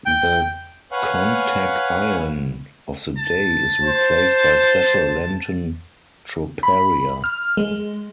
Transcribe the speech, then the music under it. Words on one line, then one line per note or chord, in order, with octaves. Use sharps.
The Kontakion of the Day is replaced by special Lenten troparia.
G5
B4 C#5 F5 F#5 G#5
A5
C5
B5
F6
G#3